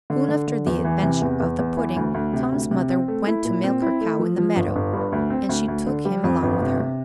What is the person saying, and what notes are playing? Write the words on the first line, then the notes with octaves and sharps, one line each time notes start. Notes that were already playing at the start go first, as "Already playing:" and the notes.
Soon after the adventure of the pudding, Tom's mother went to milk her cow in the meadow, and she took him along with her.
D3
D3
D3
E2
E3
C3
E2
E2
E2
E3
D2
D2
C3
D2
C3
C4
A3
E4
A#2
C4
E4
A3
F3
F3
G1
G1
G2
D2
C4
D2
D2
D3
G3
F2
G1
C3
C3